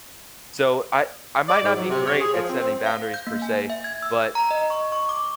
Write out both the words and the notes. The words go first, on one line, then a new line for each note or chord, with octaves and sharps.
so, I I might not be great at setting boundaries per se, but,
D5
G#2
F#3
C3
C#5
G#4
F3
C4
C4
F5
G6
A#3
G#5
E5
G#6
E6
A#5
D#5
C#6
C#6
D6